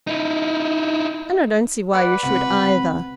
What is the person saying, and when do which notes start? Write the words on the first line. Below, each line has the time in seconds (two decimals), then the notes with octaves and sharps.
And I don't see why you should, either.
0.07 D#4 E4
1.93 B4 D5 F#5 B5
2.23 C#2 C3 F#5